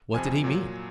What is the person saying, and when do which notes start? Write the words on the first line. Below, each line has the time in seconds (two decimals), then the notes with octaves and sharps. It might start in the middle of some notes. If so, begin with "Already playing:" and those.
What did he mean?
0.14 F2 C3 F3 G#5
0.44 A#2 F#3